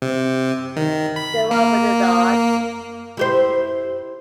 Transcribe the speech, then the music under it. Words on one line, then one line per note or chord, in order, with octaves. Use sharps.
The one with the dog.
C3
D#3
B5
A#3
E4 G4 C5